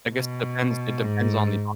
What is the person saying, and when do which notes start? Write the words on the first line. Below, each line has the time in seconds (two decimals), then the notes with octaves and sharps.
I guess it depends it depends on the, uh
0.12 B2
1.04 G#2